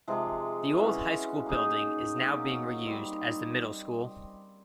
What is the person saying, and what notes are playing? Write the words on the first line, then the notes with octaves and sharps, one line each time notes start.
The old high school building is now being reused as the middle school.
C3 F3 G#3
E3 G#3 C#4 F#4
A#3 D#4 G#4
F#3 A#3 C#4
D#3 G3 C4